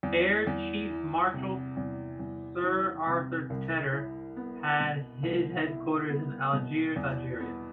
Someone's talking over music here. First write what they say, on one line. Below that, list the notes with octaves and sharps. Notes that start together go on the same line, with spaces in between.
Air Chief Marshal Sir Arthur Tedder had his headquarters in Algiers, Algeria.
E2
E2
E3
C3
E2
E2
E3
C3
C2
E4
B3
B2
C2
E4
B3
B2
E2
B3